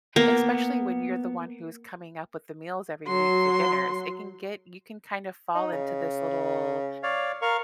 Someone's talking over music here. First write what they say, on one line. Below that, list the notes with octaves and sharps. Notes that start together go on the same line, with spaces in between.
especially when you're the one who's coming up with the meals every week for dinners, it can get you can kind of fall into this little
A#3 B3
F#3 C6
D#4
C#3
C#5 D5 F5
A#4 F5 C#6